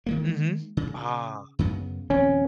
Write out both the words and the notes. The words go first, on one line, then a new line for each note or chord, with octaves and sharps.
Mhm, ah.
D#3 G#3 A#3
C#3
F#2 C#3 B3
D#1 F3 C4 C#4